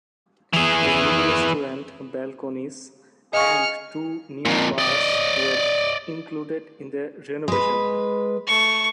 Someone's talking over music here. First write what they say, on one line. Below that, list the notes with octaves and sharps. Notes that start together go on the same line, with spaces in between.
A new restaurant, balconies, and two new bars were included in the renovation.
E3 G#4
G#4 D#5 F5 C#6 F6 C#7
F2 A#2
D5 D#5
G#3 B4
A3 C#6